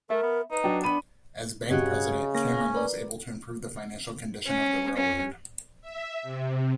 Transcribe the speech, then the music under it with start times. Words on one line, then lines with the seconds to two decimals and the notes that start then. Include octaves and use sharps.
As bank President, Cameron was able to improve the financial condition of the railroad.
0.10 A3 A#4 E5
0.23 B3
0.51 D#4 B4
0.64 F#3 D4 G5
0.84 B3 D4 B5 D#7
1.70 G2 C#3 F#4 G4 C#5 D#5 F#5 F#6
2.35 A#3 C#4 A#6
2.74 A#4 B4 D5
4.47 C#4
4.97 C#4
5.82 E5
6.23 C3